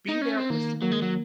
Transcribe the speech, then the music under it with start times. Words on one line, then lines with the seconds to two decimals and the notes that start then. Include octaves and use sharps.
Be there for so
0.09 D#4
0.22 C#4
0.36 C4
0.50 D#3 A#3
0.82 F#3 A#3
0.92 G#3
1.02 F#3